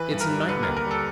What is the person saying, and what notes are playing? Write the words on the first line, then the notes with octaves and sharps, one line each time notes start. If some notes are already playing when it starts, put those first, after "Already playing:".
It's a nightmare!
Already playing: E3 B4
G2
A#4
G3
D3 B4
D#2 A#4
A#4
G3 A4